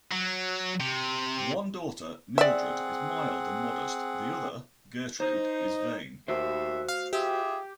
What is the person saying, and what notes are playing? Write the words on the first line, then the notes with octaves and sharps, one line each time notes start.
One daughter, Mildred, is mild and modest; the other, Gertrude, is vain.
F#3
C3
C4 G#4 D5 E5 F#5
D#4 C5
D#2 F#4 C5 E5
F5
F4 G4 G#4 E5